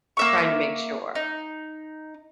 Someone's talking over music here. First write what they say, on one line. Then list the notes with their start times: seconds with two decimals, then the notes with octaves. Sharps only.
trying to make sure."
0.17 A#3 E5 C#6
1.15 D#4